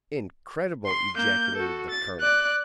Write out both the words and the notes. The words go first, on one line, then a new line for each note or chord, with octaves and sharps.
"Incredible!" ejaculated the colonel.
C6
A#3 G6
F#4 A4
A6
D5 F#6